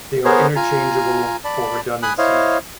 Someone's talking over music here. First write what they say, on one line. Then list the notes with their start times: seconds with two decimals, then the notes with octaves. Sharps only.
They are interchangeable for redundancy.
0.25 B3 G#4 A#4 C5 C#5
0.56 F4 G#5 A#5
1.45 D5 A5 B5
2.03 G#5 B5 D#6 F#6
2.18 E4 C5 C#5 D#5 F5